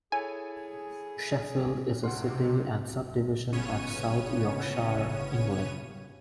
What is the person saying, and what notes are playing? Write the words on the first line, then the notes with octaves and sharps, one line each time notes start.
Sheffield is a city and subdivision of South Yorkshire, England.
E4 G#4 A4 C#5 G#5
C#2 C3 F#5 C6
G1 C#3 B3 C#4 C#5 D#7